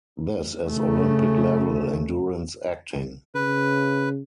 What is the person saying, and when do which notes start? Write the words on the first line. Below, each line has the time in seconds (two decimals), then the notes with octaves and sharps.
This is Olympic-level, endurance acting.
0.67 C#3 A3
3.35 C#3 B4